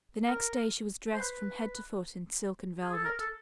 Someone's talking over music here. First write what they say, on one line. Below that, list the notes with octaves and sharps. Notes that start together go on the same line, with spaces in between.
The next day she was dressed from head to foot in silk and velvet.
A#4
C5
B4
G#4
A4
A#4
A4